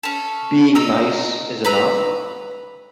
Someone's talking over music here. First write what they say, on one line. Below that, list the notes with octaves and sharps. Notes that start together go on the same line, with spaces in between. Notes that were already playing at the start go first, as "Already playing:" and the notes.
being nice is enough?
C#4 A4
D#5 A#5 E6
B4 A#5 E6